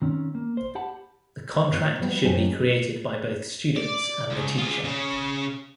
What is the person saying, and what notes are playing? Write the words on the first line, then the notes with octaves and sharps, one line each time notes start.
The contract should be created by both students and the teacher.
D#3 C4 C#4
A#3
C5
G4 F#5 A5 B5
A2 C3 C4 F4
F3 G3 B3 E4 F#4
F#2 F#3 G4 C5 D#5 G#5
D5
C#2
F4 G#4
C#3 C#4